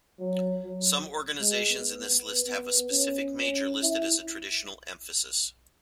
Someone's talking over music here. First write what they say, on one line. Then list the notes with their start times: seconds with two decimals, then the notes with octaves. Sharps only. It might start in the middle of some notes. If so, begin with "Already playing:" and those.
Some organizations in this list have a specific major listed as a traditional emphasis.
0.19 F#3
0.64 F#3
1.40 G#3
1.70 B3
2.01 B3
2.47 B3
2.91 C#4
3.37 C#4
3.82 E4